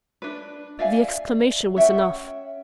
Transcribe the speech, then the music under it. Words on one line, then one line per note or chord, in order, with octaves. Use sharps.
The exclamation was enough.
D4 B4
D5 E5 F5 G#5
C#4 E5 F#5 G5